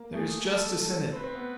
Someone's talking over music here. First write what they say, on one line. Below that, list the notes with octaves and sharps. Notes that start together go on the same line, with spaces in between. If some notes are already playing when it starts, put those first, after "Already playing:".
There is justice in it.
Already playing: A#3
A3 G#4
A4
A4
C4 B4
C4
B3